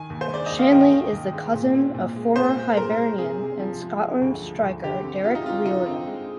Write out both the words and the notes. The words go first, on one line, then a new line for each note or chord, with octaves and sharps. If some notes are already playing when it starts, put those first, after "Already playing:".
Shanley is the cousin of former Hibernian and Scotland striker Derek Riordan.
Already playing: D#3 G#5
D#2
C5
G#3 D5
D#2 D#5
F5
D#3 G5
D#3
D#2
G#3
A#2
C4
A#2
G#3
A#2 C5
G#3
A#2 A#4
G#3
C3 G#4
C3
F3
G#3
G#3
D2
F3
D2
D3 G4
C4
G#3 F4
D#4
C4 F4
D3 D#4
C4
G#3